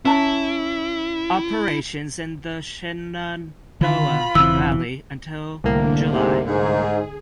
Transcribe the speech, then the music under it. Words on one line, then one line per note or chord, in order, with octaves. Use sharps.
Operations in the Shenandoah Valley until July.
C#4 E4 A5 A#5
D3 D#3 F4 B5
E1 C#3 E3 C4 E6
C2 A2 D3 A#3
G#2 C3
G#2 G#4